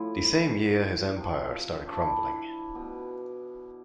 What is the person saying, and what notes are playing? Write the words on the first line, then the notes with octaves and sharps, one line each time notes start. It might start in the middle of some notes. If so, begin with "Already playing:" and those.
The same year his empire started crumbling.
Already playing: A2 F3 E4
C3 F3
D4
E4
B2